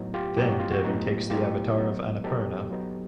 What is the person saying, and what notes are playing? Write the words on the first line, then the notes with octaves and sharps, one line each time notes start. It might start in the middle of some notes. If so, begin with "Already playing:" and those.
Then Devi takes the avatar of Annapurna.
Already playing: A2 F#3 B3 D#4
F4 G4
A2 F#3 B3 D#4 G4
F#4
F4
F#4
A2 F#3 B3 D#4
A2 F#3 B3 D#4 F4 G4
F#3 B3 D#4
F#3 B3 D#4 G4 A4
F#3 B3 D#4